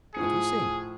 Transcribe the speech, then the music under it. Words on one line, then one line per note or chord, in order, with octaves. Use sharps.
But we sing.
A2 F3 G#4 C#7